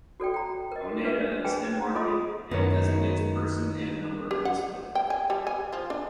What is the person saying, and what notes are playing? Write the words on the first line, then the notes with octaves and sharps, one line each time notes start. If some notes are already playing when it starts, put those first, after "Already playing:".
Oneida is head-marking, and designates person and number in this way.
F#4 A4 D5 G5
G5 A#5
A#4 D#5
D4 B4 E5
G#4 B4 G5 G#5
F4 G#4 A4 D#5 C6 D#6
F#2 D#3 B3 C#5
G4
F#5
G5
G#5
G3
G#5
F3
D4